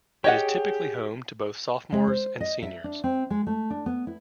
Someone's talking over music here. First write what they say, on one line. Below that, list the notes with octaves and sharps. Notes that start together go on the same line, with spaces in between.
It is typically home to both Sophomores and Seniors.
G4 G#4 C#5 D#5 F#5
G#3
C5
D#5
E5
D4
C4
G#3
A3
D4
B3
E4